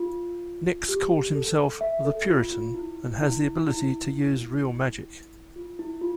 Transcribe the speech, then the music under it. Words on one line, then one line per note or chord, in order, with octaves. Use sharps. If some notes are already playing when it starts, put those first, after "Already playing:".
Nix calls himself "The Puritan" and has the ability to use real magic.
Already playing: F4
G4
A4
E5
A4
F4
F4
E4
E4
E4
F4
E4
F4